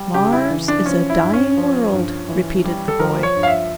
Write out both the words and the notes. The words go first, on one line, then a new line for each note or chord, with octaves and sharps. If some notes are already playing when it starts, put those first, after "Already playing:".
"Mars is a dying world," repeated the boy.
Already playing: G3
C#3 G4
E4
E3
D4
F3 C#4
E4
G2
C#4
F3
G2
E3
G3
A4
F3 A#4
C#5
G2
F5
E5